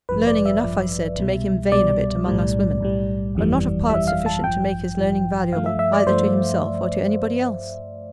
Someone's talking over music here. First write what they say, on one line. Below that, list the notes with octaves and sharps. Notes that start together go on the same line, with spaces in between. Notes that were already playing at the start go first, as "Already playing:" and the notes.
Learning enough, I said, to make him vain of it among us women: but not of parts sufficient to make his learning valuable either to himself or to any body else.
A1 G2 F3 B4
D5
E5
A1 G2 F3
C2 B2 G3
C2 B2 G3 D5
B1 A2 G3
B1 A2 G3
G1 F2 E3 G3
G1 F2 E3 G3 E5
F5
A5
A1 G2 F3 G5
A1 G2 F3
G2 F3 A3 F5
E5
E5
D5
G2 F3 A3 C5